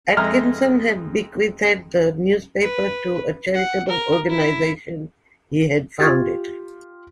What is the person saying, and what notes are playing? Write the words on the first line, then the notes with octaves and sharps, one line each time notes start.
Atkinson had bequeathed the newspaper to a charitable organization he had founded.
F2 G#3 E5 A#5 F6
B4
F#5
A#4
E4
F4 G4 C#6 G#6 A6